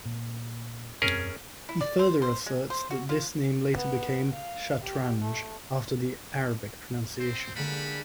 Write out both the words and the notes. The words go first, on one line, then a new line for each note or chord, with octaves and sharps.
He further asserts that this name later became "Shatranj" after the Arabic pronunciation.
A#2
E1 F#2 C4 C#4 G#4 A#4
E4
D5
C5
C5
G#3
C5
F#4
F4
B3
F5
G4
A3
C4 C5
D3 G3 G#3 A#3 F#5 B5